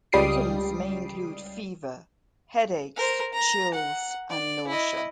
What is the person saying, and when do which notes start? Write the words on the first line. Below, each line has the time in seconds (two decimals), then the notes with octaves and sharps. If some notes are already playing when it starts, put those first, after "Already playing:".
Symptoms may include fever, headaches, chills, and nausea.
0.12 C#2 G3 D#6 C7 D7
2.96 A#4 C5
3.34 A#5
3.74 F#5
4.30 D5
4.67 E4 D#5